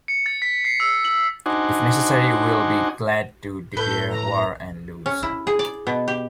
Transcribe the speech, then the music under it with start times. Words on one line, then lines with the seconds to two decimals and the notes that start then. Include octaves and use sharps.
If necessary, we will be glad to declare war and lose.
0.08 C#7
0.26 A6
0.42 B6
0.65 C7
0.80 E6
1.05 F#7
1.46 D4 D#4 F#4 C5 G#5
3.77 A2 A4 B4 G6
4.11 A#5
5.06 C#4
5.23 E4
5.47 G#4
5.59 D5
5.87 B2
6.08 G4